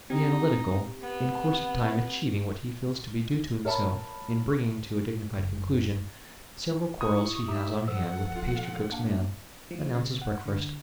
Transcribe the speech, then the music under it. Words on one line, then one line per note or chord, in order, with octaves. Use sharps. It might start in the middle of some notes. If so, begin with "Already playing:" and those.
The Analytical, in course of time achieving what he feels to be due to himself in bringing to a dignified conclusion several quarrels he has on hand with the pastrycook's men, announces breakfast.
C4 D#4 G4
B3
A#4 C#5 E5 A5 B5
F#1
E4 C#6 D#6
D#4 G4 E5
F3 A4 F#5
F4
A#3 D4
F3
C#3
F#5
D3